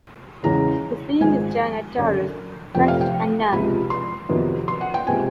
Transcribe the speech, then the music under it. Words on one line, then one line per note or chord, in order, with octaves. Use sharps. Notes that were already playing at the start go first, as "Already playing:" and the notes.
The same is done at Terce, Sext, and None.
E2 C#3 E3 G#3 A#5
G#1 G#2 F3 G#3 G#5
F#1 F#2 D3
F1 F2 C3 F3 A3 G5
F5
G5
C#2 C3 F3 G#3 B5
C6
F2 C3 D#3 F#3 B3
C6
F#5
G5
C3 F3 G#3 G#5